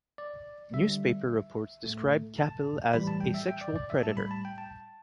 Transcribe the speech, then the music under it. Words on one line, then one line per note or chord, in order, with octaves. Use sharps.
Newspaper-reports described Capill as "a sexual predator".
D5
D3 G3 E5
A2 A3
A5
A2 E3 G3 B5
A5
G5
E5
G5
D5
D5
E5
A2 G3 A5
B5
A5
G5
A5